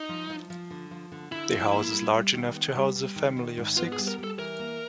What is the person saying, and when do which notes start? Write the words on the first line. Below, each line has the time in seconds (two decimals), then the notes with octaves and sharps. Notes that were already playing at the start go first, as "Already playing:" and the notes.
The house is large enough to house a family of six.
Already playing: D#4
0.09 F3
0.30 F3
0.50 F3
0.71 D3
0.91 F3
1.12 D3
1.32 D3 E4
1.52 F3
1.73 A#3
1.93 G3
2.14 G3
2.34 D#3
2.54 B3
2.75 G3
2.96 G3
3.16 D#3
3.37 D#3
3.57 G#2
3.77 B3 F4
3.92 G#4
3.98 G3
4.08 A#4
4.18 G3
4.24 A4
4.39 E3 A#4
4.59 A#3